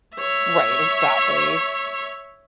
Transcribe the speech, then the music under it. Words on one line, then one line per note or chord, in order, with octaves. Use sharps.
right, exactly.
C#5 E5